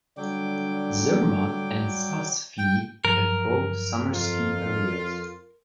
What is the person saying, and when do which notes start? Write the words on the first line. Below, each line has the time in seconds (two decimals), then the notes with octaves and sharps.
Zermatt and Saas-Fee have both summer ski areas.
0.18 D3 F#3 G3 G5 D6
2.58 G5
3.05 G2 F3 F#3 A#4
4.11 F2 F4